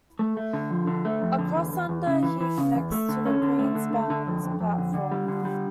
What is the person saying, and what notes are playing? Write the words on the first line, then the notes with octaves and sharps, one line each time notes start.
A crossunder here connects to the Queens-bound platform.
A3
A3
D3
F3
D3
A3
F2
D3
E2
E2
E2
C#3
E3
E3
C#3
E2
A3
D3
C#4
D3
A3
D3
D3
D3
F2
F2
F2
D3
D3
G3
D3
G3